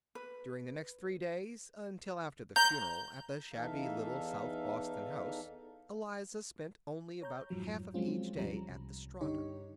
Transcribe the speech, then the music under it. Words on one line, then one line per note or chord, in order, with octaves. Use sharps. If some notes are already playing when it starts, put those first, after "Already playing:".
During the next three days, until after the funeral at the shabby little South Boston house, Eliza spent only about half of each day at the Strata.
B4
C5 A#5 G6
E2 E3 D#4 A4 E5 F5
C#5 A#5 G6
F2 G#2 F3 F#3
F3 F#3 G#3 C4 C#4 F4
D2 B2 F3 G3 C#4 A#5
C2
G2 D3 D#4 G4 C#5